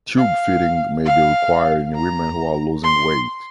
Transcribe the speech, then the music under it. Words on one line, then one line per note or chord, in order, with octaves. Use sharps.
Tube feeding may be required in women who are losing weight.
F5
F5
A#5
C6